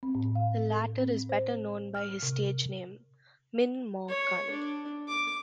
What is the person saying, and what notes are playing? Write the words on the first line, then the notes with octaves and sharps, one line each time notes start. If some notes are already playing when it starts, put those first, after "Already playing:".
The latter is better known by his stage name Min Maw Kun.
C4
A2
F5
A4
C4
C5
F6
C3
C#5
D4
D6